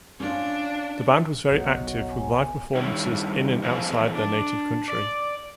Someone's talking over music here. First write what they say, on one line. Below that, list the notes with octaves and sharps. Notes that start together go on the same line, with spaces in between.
The band was very active with live performances in and outside their native country.
C#4 D4 F4
F#1 B1 F#3 B3 D#5
G#5
G2 D#3 E4 C#5
E2 F3 E4 G#4 A4 D#5
D4
D5